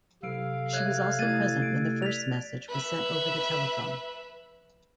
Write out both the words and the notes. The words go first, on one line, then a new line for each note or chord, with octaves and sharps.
She was also present when the first message was sent over the telephone.
C3 F#3 A4 F5 D7
C#5 E5 F6 F#6 G#6
A3 E4 G#6 A6 D#7
D7
D5 B6 F7
B4 E5